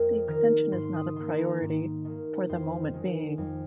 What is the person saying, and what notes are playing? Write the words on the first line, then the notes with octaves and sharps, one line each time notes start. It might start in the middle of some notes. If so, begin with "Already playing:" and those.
The extension is not a priority, for the moment being.
Already playing: F2 A#3 A#4 D#5
D#3 A#3 A#4
G#2 C6
D#6
D#3 A#3 C6
A#5
G#2
D#3 A#3
F2 C5
D#3 G#3
F2